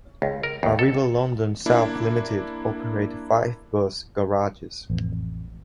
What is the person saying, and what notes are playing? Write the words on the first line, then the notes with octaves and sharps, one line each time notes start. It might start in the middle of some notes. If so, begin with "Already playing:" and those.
Arriva London South Limited operate five bus garages.
C#2
A#4
D#2
A4
A#3 D4 E4
A1 F2